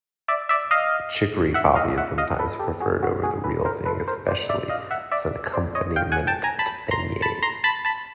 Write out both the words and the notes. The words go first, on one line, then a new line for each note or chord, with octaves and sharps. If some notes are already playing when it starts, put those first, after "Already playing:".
Chicory coffee is sometimes preferred over the real thing-especially as an accompaniment to beignets.
D5 E5
D5 E5
D#5 F5
E5 F#5
D#5 F5
E5 F#5
D#5 F5
A4 B4
G4 A4
F#4 G#4
F#4
F#4 G#4
A4 B4
A#4 C5
A4 B4
A#4 C5
C5 D5
D5 E5
D#5 F5
E5 F#5
D5 E5
C5 D5
C#5 D#5
F5 G5
F#5 G#5
G5 A5
G#5 A#5
A5 B5
A#5 C6
A5 B5
A#5 C6
A5 B5
A5 B5